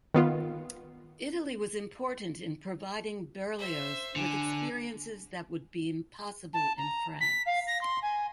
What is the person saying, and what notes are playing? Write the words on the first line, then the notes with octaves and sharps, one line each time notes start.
Italy was important in providing Berlioz with experiences that would be impossible in France.
D#3 B3 F4
C5 E5
D3 G#5
A5
A#5
B6
F5
A#6
C6
G#5